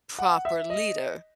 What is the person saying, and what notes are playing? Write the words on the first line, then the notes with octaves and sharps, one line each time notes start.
proper leader
F#5
E5
D#5